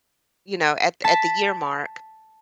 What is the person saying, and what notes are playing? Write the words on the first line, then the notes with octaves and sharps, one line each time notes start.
you know, at at the year mark,
A5 B6